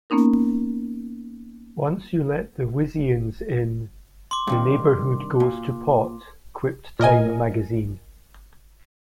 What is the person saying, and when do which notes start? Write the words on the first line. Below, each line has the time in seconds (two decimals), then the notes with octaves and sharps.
"Once you let the Wisians in, the neighborhood goes to pot," quipped "Time Magazine".
0.10 A#3 B3 C#4 D#4 A#4
4.31 C6 D6
4.47 G2 C3 D#3
5.40 A#2
6.99 A#2 A#4 D#5 G#5